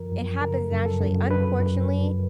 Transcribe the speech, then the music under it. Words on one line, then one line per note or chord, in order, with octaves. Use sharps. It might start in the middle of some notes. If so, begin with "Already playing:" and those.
It happens naturally. Unfortunately,
Already playing: F#2 F3 A#4
F#2
C#3 A#4
F#2
A4
F#2
F#2 B4
F#2
F#2